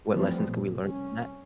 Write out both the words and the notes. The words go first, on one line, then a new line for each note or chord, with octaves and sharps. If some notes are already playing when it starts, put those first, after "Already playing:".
what lessons could we learn from that?
E3 F3 G3 A3 B3 C4
A#2
C2 C#4